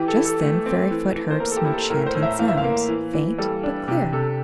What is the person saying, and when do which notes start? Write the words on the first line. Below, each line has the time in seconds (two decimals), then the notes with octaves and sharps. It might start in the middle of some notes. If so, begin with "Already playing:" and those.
Just then Fairyfoot heard some enchanting sounds, faint, but clear.
Already playing: E3 G4
0.08 A4
0.17 E4
0.25 A4
0.41 A3
0.66 C4
0.91 E3
1.15 E3
1.31 C5
1.40 A#3 A#4
1.51 A4
1.57 G4
1.65 E4
1.73 A4
1.90 A2 A#4
2.06 C5
2.15 A2
2.23 E5
2.39 E3 F5
2.48 E5
2.57 F5
2.64 A#3
2.89 E3
3.13 E3
3.38 G3 A4
3.63 D4
3.88 C3 G4
4.12 C3 A4